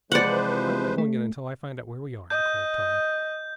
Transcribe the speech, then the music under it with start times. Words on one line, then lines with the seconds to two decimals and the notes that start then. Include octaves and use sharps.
"I'm not going in until I find out where we are," declared Tom.
0.12 C3 E3 F3 G#3 B4 C5 D5 F#5
0.98 A3
2.30 D#5 G6